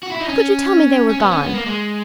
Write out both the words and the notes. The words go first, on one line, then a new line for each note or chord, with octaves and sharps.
How could you tell me they were gone?
F#4
E4
D#4
C#4
C#4
B3
C#4
B3
A#3
G#3